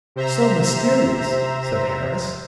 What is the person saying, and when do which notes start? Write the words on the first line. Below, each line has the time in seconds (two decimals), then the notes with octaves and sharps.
"So mysterious!" said Harris.
0.16 C3 C5 E5 A#5